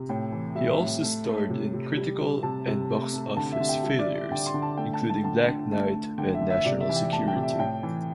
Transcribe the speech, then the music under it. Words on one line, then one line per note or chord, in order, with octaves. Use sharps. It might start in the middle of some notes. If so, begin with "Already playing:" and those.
He also starred in critical- and box-office failures, including "Black Knight" and "National Security".
Already playing: C3
A2 G5
E3
G3 E5
A2
A3
A3
C3
C3
G3
G3
C3 A5
C3
A3
A3
D3 A5
E5
D3
G5
G3 E5
D5
G3
E5
D3 G5
C6
D3
A5
A3 G5
A5
A3
A5
D3 A5
D3
A3
A3
D3 G5
E5
D3
E5
C3 D5
E5
E3
G5
A3 A5
G5
C3
E5
A2 G5
E3